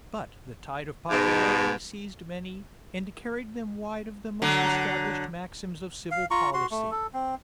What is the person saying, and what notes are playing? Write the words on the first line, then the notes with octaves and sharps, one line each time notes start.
But the tide of popularity seized many, and carried them wide of the most established maxims of civil policy.
G#2 B2
D3 F#3
F5
F4 A#5 C#6
F#4 C6
A3
A4
C4